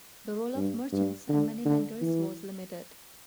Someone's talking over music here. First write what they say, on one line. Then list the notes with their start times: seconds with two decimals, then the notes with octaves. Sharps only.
The role of merchants and money-lenders was limited.
0.56 G2
0.92 G2
1.29 D3
1.65 D3
2.01 E3